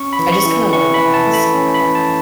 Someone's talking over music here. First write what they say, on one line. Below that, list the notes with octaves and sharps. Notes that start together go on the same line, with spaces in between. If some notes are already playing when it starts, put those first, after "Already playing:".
...I just kinda wanted to ask
Already playing: C#4 C#6
B5
E3
C#6
E3
E3 C#6
B5
E3
A5
A3
B5
C#4
B5
E3
A5